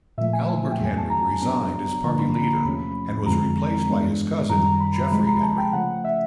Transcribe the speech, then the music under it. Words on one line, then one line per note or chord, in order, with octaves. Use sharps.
Albert Henry resigned as party leader, and was replaced by his cousin Geoffrey Henry.
A#2 F3 A3 E5
G#5
G5
E2 C#3 F#3 A3 G#5
A5
A#5
C#3 F#3 B3 D4 A#5
D3 F3 A#3 D4 A#5
B5
A#5
E2 C3 F3 A3 C#4 B5
F2 D3 F3 G#3 C4 A#5
A#5
G2 E3 G#3 B3 D4
F#2 D#3 G3 A#5
A#5
B5
A#5
C3 F3 G#3 B5
A#5
A5
G5
C#3 F3 A3 F#5
E5